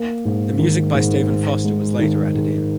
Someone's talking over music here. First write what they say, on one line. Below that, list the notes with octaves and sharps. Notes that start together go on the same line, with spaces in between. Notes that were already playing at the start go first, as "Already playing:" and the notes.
The music by Stephen Foster was later added in.
Already playing: A#3
G#2
D#3
G#2
G#3
G#3
D#3
G#2